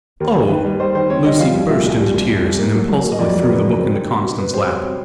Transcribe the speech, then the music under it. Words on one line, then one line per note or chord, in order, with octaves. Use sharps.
"Oh!" Lucy burst into tears and impulsively threw the book into Conniston's lap.
D#2 A#4
D#2
D#3 B4
G3
G3 C5
D#3 C5
C4 C#5
G3 D#5
F3 F5
C2
A#2 E5
C2
C2
C2
C2
C2
A#3
F#3
F#3
A#3
D#5
F2 D5
F#3
A#4
C#3 B4
F#3
C4 A#4
G3
B2
B2
B2 B4
G3 C5
B2 C#5
C4